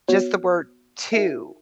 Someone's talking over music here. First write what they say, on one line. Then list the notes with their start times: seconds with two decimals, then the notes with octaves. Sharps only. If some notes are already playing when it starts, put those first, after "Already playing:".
just the word, "to,"
0.08 B3 F#4 C#5
1.13 D#4 F#4 A#4 E5